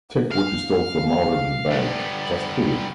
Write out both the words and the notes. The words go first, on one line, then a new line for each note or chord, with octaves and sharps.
Take what you stole from out of your bag. Just do it.
F5
G3 B3